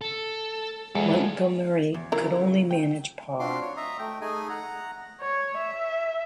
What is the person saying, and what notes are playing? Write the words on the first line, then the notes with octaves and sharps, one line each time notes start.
Montgomerie could only manage par.
A4
E2 G#3 F4 A4
E2
C#3 F#3 E4 F4 A#4
G5
C4 D4 F4 F#4 C6 D6
C#5
D#5 E5 A#5
A3 G5
A3 D#4 G#4 D#5 G#5
F#5 A#5
C#5
E5